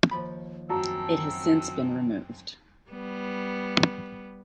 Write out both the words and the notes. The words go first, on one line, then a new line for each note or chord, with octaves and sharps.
It has since been removed.
D#2 F3 B5
F#2 C4 F#4 A5 A#5 E6
G3 B3